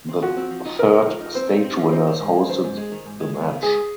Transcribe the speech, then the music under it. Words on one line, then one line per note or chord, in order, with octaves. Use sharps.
The third stage winners hosted the match.
C4
F3 F#4
C4
F3
D#4
D#4 A#4
D#4
F3
D#4
C4 C5
D#4
C4
F3
D#4 C5
D#3
G#2
G#3
D#3 C5
G#2
G#3
D#3
G#2
G#3
G#3
D#3
G#3 G#4